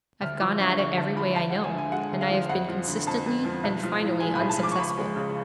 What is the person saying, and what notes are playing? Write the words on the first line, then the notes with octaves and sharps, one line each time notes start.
'I've gone at it every way I know, and I have been consistently and finally unsuccessful.'
D2 F6
F3 D6
D3 C#6
D2 C#6
D2 A5
F3 B5
D2 A5
F3 F#5
G#5
D3 G#5
G#3 F#5
D2
F5
F3
F2 F#5
F3
D3
F2 A5
F2
F3
B1
F3
A2
G#3 G#5
B5
B1
A5
F3 D6
C#6
C#2 B5
C#6
G#3
C#3